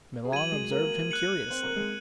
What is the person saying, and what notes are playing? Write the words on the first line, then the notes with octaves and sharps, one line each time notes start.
Milon observed him curiously.
G#4
F#3 F#4 G#6 D#7 F#7
G#3 G#4
A#3 A#4
F#6 C#7 F#7
C4 C5
A#3 A#4
G#3 G#4